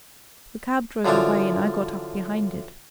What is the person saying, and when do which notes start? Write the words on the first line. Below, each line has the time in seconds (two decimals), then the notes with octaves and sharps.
The cab drove away, and I got up behind it.
1.05 F#2 D3 E3 F3 D4